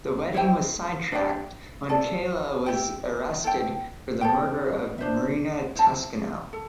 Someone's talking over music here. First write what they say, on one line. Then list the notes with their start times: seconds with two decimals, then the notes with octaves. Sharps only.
The wedding was sidetracked when Kayla was arrested for the murder of Marina Toscano.
0.34 E4 C5 G5
1.12 D4 G4 D5
1.89 E4 A4 D5 A5
2.66 E4 G4 D5 G5
3.43 E4 A4 C5 G5
4.21 A4 C5 G5
4.98 D4 C5 E5
5.75 E4 C5 A5
6.53 A4